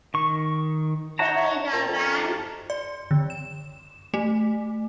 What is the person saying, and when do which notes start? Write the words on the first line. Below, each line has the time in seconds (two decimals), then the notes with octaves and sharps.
Come on in, young man.
0.14 D#3 C#6
1.19 C#5 F#5 A5 A#5
1.73 A#2 A5 A#5
1.88 F2
2.70 D5
3.11 D3
3.30 E7
4.14 A3